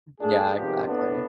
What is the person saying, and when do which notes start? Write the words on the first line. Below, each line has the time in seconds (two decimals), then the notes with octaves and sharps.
Yeah, exactly.
0.20 A#2 A3 D4 G#4
0.56 G#1 C3 D#3 F3 B3 G4
0.87 A2 B3 D4